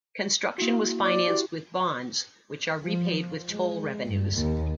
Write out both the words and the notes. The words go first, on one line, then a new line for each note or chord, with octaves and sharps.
Construction was financed with bonds, which are repaid with toll revenues.
A#3 E4 F#4
D5
E4 F#4 G4
F3
G#3
G2
D#2